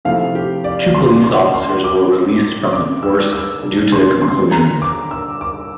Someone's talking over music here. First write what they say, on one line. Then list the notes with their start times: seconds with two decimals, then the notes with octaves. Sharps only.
Two police officers were released from the force due to the conclusions.
0.05 C3 F3 A3 C4 E4 F5
0.35 G4
0.64 D5
0.95 C6
1.24 C6
1.54 C6
1.84 D6
2.73 D6
3.03 E6
3.33 E6
3.62 C3 G3 D4
3.92 C6
4.22 C6
4.51 A#5
4.82 D6
5.11 E6
5.41 D6